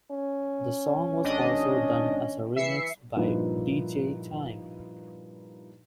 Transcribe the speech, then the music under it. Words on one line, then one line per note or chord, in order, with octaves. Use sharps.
The song was also done as a remix by DeeJay Time.
C#4
G#1 D4 D#5
E3 E5 C7 C#7
G2 A#2 F3 D#4 E4 B4